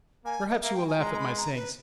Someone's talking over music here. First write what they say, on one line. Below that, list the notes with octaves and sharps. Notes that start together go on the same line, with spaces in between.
Perhaps you will laugh at my saying so.
A#3 G#5
D#5
A#3 E5
G5
G#5
G#3 A#5
A#5
B5
A#5
B4